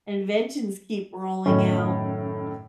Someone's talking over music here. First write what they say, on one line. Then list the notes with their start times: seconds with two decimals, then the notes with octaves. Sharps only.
inventions keep rolling out.
1.46 F#2 A2 D#3 C#4